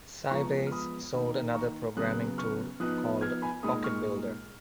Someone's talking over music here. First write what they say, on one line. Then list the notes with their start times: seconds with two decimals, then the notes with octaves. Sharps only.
Sybase sold another programming tool called PocketBuilder.
0.30 F3 G#3 B3 A#5 C#6
0.67 F6
0.72 B5 D#6
1.13 D#3 A#3 D#4
1.55 A#5 C#6
1.97 C#3 F#3 B3 D#6 F#6
2.38 C#6 F6
2.80 F3 B3 D#4 D#6 F#6
3.21 F6 G#6
3.42 G#5 B5
3.63 A#2 G#3 D#4 B5 D#6
3.84 C#6 F6